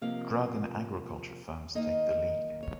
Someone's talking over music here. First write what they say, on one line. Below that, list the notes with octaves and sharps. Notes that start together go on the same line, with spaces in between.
Drug and agriculture firms take the lead.
C3 F3 A#3 D#4 F5
D#3 A#3 D#4 D#5
C#5